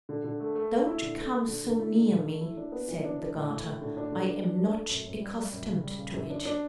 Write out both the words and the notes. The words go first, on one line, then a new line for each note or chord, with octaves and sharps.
"Don't come so near me," said the garter: "I am not accustomed to it."
D3
D3
A3
A3
A3
E4
D3
A3
A3
D3
D3
E4
D3
D3
A3
E4
D4
B3
E3
D4
D4
A2
A2
A2
D3
D4
D3
D4
D4
D4
A3
F#2
F#2
G3
G3
F#2
C#3
G3
C#3
F#2
D4
D4